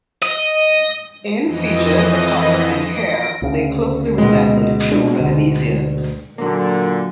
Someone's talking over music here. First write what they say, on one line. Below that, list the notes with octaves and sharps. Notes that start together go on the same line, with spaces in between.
In features, colour and hair they closely resembled true Melanesians.
D#5
F2 E3 D#5
A#6 D7
D2 C#3
B2 G#3
D4
D2 D3
A#2 D3 F#3 A#3